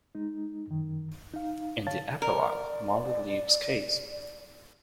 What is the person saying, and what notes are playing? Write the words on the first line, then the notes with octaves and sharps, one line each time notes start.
In the epilogue, Molly leaves Case.
G#3 D#4
F#2 D#3
D#4 F5
D3 C#5 F5 A5 A6
A#4 D5